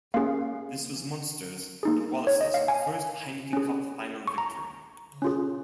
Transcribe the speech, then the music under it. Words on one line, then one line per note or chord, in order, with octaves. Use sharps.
This was Munster's, and Wallace's, first Heineken Cup Final victory.
A#3 C#4 G#4 F5
A#3 D#4 G#4
C#5
D#5
F5
G#5
C#4 G#4
C#6
A#5
C#4 F4 G#4